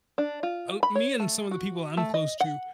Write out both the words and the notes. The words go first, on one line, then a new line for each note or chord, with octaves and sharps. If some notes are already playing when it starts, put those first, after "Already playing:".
uh me and some of the people I'm close to
D4
F4
B5
C#5
A3
F#4
A3
D#5
F#5